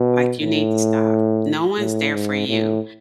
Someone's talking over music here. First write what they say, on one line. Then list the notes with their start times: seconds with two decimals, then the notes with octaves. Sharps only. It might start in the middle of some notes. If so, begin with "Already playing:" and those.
Like, you need to stop. No one's there for you.
Already playing: B2
0.40 A2
1.78 A2
2.13 G#2
2.48 A2